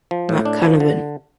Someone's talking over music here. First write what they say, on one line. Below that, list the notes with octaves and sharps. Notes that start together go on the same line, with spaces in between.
Matt Canavan.
F3
A2
D4
F3
D3